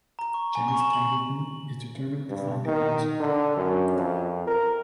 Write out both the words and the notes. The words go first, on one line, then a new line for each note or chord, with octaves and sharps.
Janice Templeton is determined to find the answer.
A#5
C#6
G#5
C#6
E7
F#7
G2
D#3
D3
F#2
F2
A#4